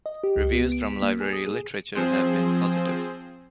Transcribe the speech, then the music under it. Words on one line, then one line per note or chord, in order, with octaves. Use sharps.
Reviews from library literature have been positive.
D#5
G4
C#2
B3
D7
B6
A#3
G#4
D#6
G#4
F3 C4 G#4 C5